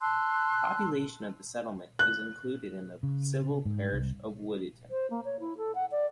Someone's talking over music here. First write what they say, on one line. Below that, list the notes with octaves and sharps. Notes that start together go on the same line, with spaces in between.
The population of the settlement is included in the civil parish of Woodditton.
A5 C6 E6 F#6
F#6
C#3
G#2
C2
C5
A#3
C#5
E4
A4
F#5
D5